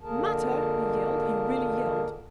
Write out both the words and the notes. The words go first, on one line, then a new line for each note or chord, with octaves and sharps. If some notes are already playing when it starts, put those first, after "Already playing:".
"Matter!" he yelled; he really yelled.
F2 D3 A#3 G#4 A#4 A5